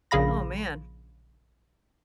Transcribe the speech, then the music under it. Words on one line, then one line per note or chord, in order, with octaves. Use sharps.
Oh, man.
A#1 C#3 G#4 F5 B5 A#6